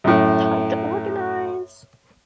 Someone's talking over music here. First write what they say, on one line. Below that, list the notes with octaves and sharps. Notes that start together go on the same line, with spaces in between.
Time to organize!
F#2 A2